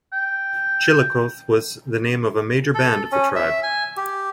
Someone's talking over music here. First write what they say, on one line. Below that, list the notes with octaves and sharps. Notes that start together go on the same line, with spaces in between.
"Chillicothe" was also the name of a major band of the tribe.
G5
A4
C#4
E5
G#5
G4